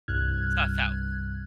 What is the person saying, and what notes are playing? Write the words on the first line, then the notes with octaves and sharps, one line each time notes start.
Stuff out.
C2 G2 F6 F#6 G#6